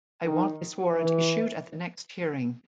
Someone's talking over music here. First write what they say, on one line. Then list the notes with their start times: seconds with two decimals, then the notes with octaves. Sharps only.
I want this warrant issued at the next hearing.
0.24 D#3
0.90 E3